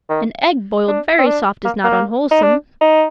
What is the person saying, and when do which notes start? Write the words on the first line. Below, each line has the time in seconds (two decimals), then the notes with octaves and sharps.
An egg boiled very soft is not unwholesome.
0.09 D#3
0.88 D4
1.19 C4
1.27 D4
1.65 A#3
1.84 A#3
2.31 D#4
2.43 D4
2.81 D#4